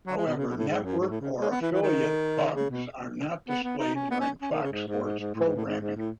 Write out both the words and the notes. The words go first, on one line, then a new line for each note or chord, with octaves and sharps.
However, network or affiliate bugs are not displayed during Fox Sports programming.
F#3
G#3
B2
C#3
B2
A2
G#2
F#2
G#2
A2
C#3
G#3
B3
E3
E3
D#3
C#3
B2
B3
B3
D#4
C#4
B3
C#4
C#4
D#3
C#3
G#2
G#2
G#2
G#2
A2
G#2
A2
G#2
G#2
A2